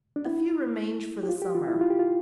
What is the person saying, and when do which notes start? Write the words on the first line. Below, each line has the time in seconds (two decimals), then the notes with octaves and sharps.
A few remained for the summer.
0.16 D4
0.26 E4
1.23 G4
1.29 F4
1.42 G4
1.55 F4
1.68 E4
1.81 F4
1.90 G4
1.99 F4